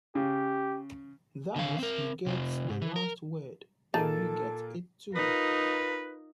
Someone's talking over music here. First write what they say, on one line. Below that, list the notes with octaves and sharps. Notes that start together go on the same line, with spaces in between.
Thus he gets the last word; and you get it too.
C#3 G4
D3 F5
C4 A#4
C3 F4
G#2
E3
A#4
A#2 A#3 D#4 G#4 A4 A5
D#4 F4 A#4 B4